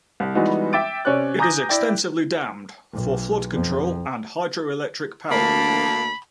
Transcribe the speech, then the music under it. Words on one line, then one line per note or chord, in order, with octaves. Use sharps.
It is extensively dammed for flood control and hydroelectric power.
C2
E3 G3 G#3 B3 D#4 F#4
E5 G5 D6 A6 D7
C3 C#4 C#5 D5 F#6
G#5 A#5 D6 D#6 G6 A#6
E4 D5 G5
B1
F2
D2 A#3 A5 B5